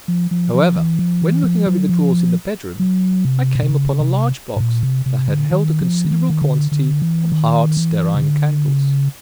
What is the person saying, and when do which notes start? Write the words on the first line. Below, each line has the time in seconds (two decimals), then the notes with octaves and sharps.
However, when looking over the drawers in the bedroom, I came upon a large box that had held a considerable quantity of hard stearine candles.
0.08 F3
0.31 F3
0.54 F3
0.76 E3
0.99 F3
1.22 E3
1.44 F3
1.67 F#3
1.89 F3
2.79 F#3
3.25 C3
3.55 B2
3.63 C3
3.70 C#3
4.00 C3
4.56 A2
4.60 A#2
4.83 C3
5.06 C3
5.28 D3
5.51 D#3
5.81 F3
6.05 D#3
6.11 E3
6.30 D#3
6.42 D3
6.72 D3
7.02 E3
7.32 D#3
7.77 E3
8.14 C#3
8.22 D3
8.68 C#3